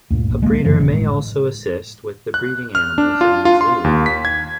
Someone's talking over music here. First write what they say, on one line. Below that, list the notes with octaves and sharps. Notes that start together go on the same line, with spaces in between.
A breeder may also assist with the breeding animals in the zoo.
D2 G2 A#2
A#1
D2 G#3 A#3
F#2 C#3 E3 F3
G#1 B2 D3
A2 G#3
F#6
F6
D4
F4
F4
C6
D#2
B6
G#6